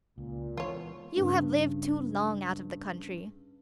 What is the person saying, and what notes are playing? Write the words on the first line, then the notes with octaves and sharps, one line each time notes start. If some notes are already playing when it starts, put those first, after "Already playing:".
You have lived too long out of the country.
C#2 A#2
E3 G#3 B3 F4 C#5
G2 C#3